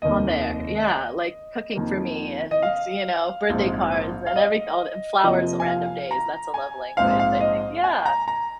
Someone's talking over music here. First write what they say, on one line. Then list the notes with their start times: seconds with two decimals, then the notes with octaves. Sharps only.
On there, yeah, like cooking for me and, you know, birthday cards and every all and flowers on random days. That's a love language, I think, yeah.
0.02 F1 D#2 D#3 A#3 D#5
1.76 F2 D#3 A#3
2.51 D#5
2.62 F5
3.49 A#1 G#2 G#3 C4
4.26 F5
4.36 D#5
5.23 F2 C3 F3 A#3 D#5
5.60 G#5
5.66 F5
6.11 A#5
6.54 G#5
6.97 A#1 G#2 G#3 C4 F5
7.19 F5
7.41 D#5
7.84 G#5
8.06 A#5
8.28 A#5